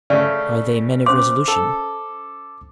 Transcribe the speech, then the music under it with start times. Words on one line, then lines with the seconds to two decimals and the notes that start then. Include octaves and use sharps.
"Are they men of resolution?"
0.10 C#3 A3 D5
1.06 C#4 C5 C6 D6
1.48 A4